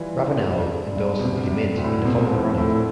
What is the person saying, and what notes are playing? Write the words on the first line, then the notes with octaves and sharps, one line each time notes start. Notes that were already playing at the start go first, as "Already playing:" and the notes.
Ravenel endorsed DeMint in the following runoff.
Already playing: E3 G3 F4
C4
G3
G2
G2
B2
D2 C3
C3
G3
D2
A2
B2 C4
A2 F3
A2 A3